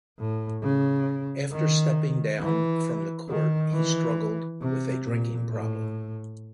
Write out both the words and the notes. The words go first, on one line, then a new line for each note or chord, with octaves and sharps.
After stepping down from the court he struggled with a drinking problem.
A2
C#3
D#3
E3
D#3
E3
C3
A#2
A2